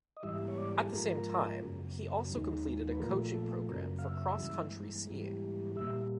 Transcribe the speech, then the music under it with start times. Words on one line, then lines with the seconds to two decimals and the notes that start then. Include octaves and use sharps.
At the same time, he also completed a coaching program for cross-country skiing.
0.17 D#5
0.23 G#2 E3 G3 E5
0.48 C#5
0.58 D5
0.76 G#4
0.84 A4
0.93 G#2 F3 G#3 A#4
1.62 F#2 C#3 F#3
2.30 D#2 D#3 G#3
2.92 B4
3.00 A#2 F3 A3 A#4
3.34 A4
3.69 F#2 C#3 F#3 A#4
3.99 F5
4.04 E5
4.38 G2 E3 G#3
5.07 G#2 E3 G3
5.76 A#2 G3 E5